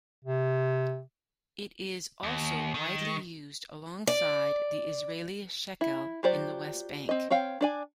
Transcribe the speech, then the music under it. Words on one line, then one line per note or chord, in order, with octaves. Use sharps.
It is also widely used alongside the Israeli shekel in the West Bank.
C3
D#2
D#3
D5
E4
F#3 F4 G4 C5 D5
C4 D#5
C4 C#5 F5 G5
D4 D5 G#5